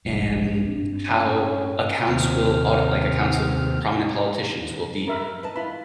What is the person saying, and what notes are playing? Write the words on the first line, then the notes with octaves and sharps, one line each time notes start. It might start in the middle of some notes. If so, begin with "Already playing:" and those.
em, how accounts will auto like, accounts of prominent politicians will be
F1 A#1 G2
G2 C4 D4
C#4
D#2 C3 C4 F6
A#4 E5 B5
B4 D#5 A5
E4 F4 B5